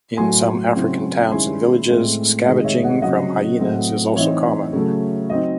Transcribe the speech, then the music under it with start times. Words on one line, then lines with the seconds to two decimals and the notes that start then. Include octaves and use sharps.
In some African towns and villages, scavenging from hyenas is also common.
0.17 A2 F#3 A3 G#5 C6
0.75 C#3 F#3 C4 E4
1.32 D#3 G#3 C#4 E4 G#5 C6
1.89 A2 G#3 C4
2.46 C3 D#3 G#3 D#5
2.64 C#5 E5
2.83 D#5 F#5
3.02 C#3 F#3 C4 D#5 F#5
3.59 A2 F#3 C4
4.16 E3 C4 D#4 C#5 E5
4.73 C#3 F#3 A3
5.30 F#3 C4 D#4 D#5